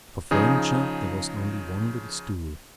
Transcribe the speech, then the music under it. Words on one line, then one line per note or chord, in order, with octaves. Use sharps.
For furniture there was only one little stool.
C#3 F3 D#4 G#4